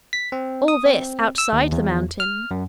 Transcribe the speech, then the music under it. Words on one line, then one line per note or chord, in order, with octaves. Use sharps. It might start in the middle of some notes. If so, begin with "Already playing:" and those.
All this outside the mountain!
B6
C4
D#6
C4
E6
D#2
E2
F6
F#2